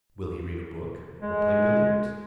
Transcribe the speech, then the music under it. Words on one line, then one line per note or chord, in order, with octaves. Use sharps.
Will he read a book or play billiards?
G#3